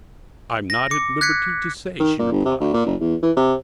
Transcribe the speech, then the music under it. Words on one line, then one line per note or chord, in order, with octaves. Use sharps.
"I'm not at liberty to say," she replied.
A#6
D6 C#7
F#6 G#6 B6 C#7
D#3
A#2
G1
C3
D2
A#2
F#1
E2
E3
C3